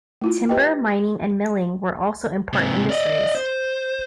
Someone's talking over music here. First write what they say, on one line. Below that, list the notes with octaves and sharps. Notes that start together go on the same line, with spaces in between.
Timber, mining and milling were also important industries.
A3 E4 F4
G4 B4 D#5 G5
G#2 C3
D5 D#5
C5